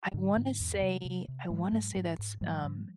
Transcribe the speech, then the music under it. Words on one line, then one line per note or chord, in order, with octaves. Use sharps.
I wanna say I wanna say that's, um,
G#2 D3
G#2
E2
C3
C3
C3
G#2 F#3 G#3
G#2
G#2
G#2
G#2 F3 G3
G#2